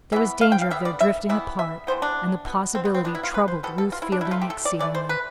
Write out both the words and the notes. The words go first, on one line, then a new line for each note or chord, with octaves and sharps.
There was danger of their drifting apart, and the possibility troubled Ruth Fielding exceedingly.
E3 B3 E5
F5
G5
F5
D3 G3 B3 E5
D5
E5
E3 G3 B3 E5
E5
E3 G3 B3 C5
D4
B2 B3
C4
B3
C4
B2 B3 D4
E4
F4
B4
C5
B2 G3 B3 A4
A4
F4
E4
D4
D3 A3 E4
F4
G4
A4
D5
E3 A3 D5
C5
B4